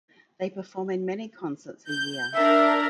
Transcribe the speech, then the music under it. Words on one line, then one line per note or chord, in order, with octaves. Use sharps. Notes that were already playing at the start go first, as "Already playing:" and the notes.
They perform in many concerts a year.
G6
D4 A#4 E5